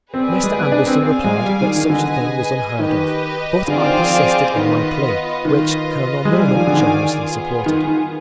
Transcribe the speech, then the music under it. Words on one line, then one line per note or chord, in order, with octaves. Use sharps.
Mr. Anderson replied that such a thing was unheard of, but I persisted in my plea, which Colonel Milman generously supported.
C4 G#4 B4 D5
C4
G#3
B3
D4
C4
C4 G#4 D5 F5 G#5
G#3
G3
D#3
D#3
D3 G#4 B4 D#5 G#5
D#3 G4 B4 D#5
D3 C4 F4 G#4 D5 F5
D#3
F3
D#3 B3 F4 B4 D#5
D#3 F4 B4 D#5
G#3
G3 G#4 D5 F5 G#5
D#3
F3
D3
D#3
B3 F4 G#4
D#3
D#3